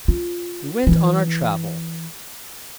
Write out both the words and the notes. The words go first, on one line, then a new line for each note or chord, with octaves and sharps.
We went on our travel.
F4
E3 E4